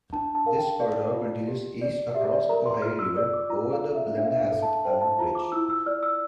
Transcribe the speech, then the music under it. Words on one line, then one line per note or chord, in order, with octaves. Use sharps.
This corridor continues east across the Ohio River over the Blennerhassett Island Bridge.
D4 A5
A5
A#4 F5
G5
D5 F5
F4
G4
D5
G4 E5
D5
A#4 A#5
C6
F4 F6
E6
D5 E6
D6
F4 A#5
F5
A4
E5
D4 E5
F5
E5
F5
A4
A5
C5 G5
A5
F4 A#5
D6
E4 E6
E6
D5 F6
E6